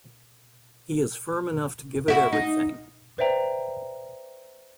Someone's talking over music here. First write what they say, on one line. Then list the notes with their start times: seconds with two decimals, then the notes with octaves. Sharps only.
He is firm enough to give it everything.
2.08 E4 F#4
2.32 D#4
3.18 B4 C5 D5 E5 G5 A#5